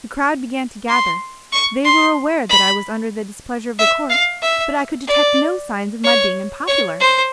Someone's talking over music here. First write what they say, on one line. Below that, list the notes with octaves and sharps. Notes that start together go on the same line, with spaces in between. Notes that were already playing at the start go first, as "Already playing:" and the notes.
The crowd began to gather; they were aware that I was under the displeasure of the court, but I could detect no signs of my being unpopular.
C6
C#6
C6
B5
E5
F5
E5
D5
C#5
C#5
C5